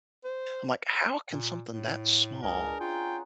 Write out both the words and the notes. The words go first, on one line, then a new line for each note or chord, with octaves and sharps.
I'm like, "How can something that small
C5
A#2
A2
C#2 D4 G#4 A#4 B4
C#4 F4 F#5 G5 A#5